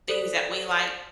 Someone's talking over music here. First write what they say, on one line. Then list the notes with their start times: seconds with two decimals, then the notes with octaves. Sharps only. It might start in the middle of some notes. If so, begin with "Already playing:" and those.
things that we like
0.08 A4 C5 D5 D#6 F#6 B6